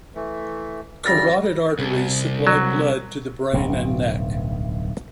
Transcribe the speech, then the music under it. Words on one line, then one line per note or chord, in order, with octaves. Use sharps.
Carotid arteries supply blood to the brain and neck.
E3 A3
F#2 C#3 G3 A6 A#6
C2
F#3
D1 B1 G2